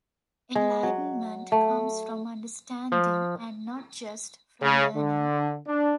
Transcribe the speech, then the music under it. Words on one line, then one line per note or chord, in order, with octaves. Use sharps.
Enlightenment comes from understanding and not just from learning.
G#3
F#3
A3
F3
C#3
D3
D4